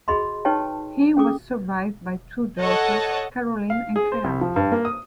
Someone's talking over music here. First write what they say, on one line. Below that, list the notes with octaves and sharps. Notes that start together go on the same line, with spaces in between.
He was survived by two daughters, Caroline and Clare.
F#4 G#4 D#5 B5 C6
D#4 G4 B4 C#5 G5 A5
C#4 G#4 A4 D6
A4 C#5 D#5 F#5 A5
F5
G#4
C5
C2
F3
G2
A#3
D#6